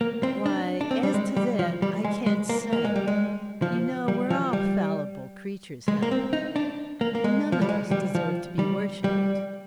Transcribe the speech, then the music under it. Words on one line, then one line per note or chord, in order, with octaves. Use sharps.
'Why, as to that, I can't say: you know we're all fallible creatures, Helen; we none of us deserve to be worshipped.
A#3
C4
D4
D4
C4
G3
G#3
G3
F3
G3
G#3
G#3
A#3
A#3
G#3
G3
G#3
F3
G3
F3
G3
G#3
A#3
C4
D#4
D4
A#3
A#3
G#3
F3
G3
G#3
G3
F3
G3
G3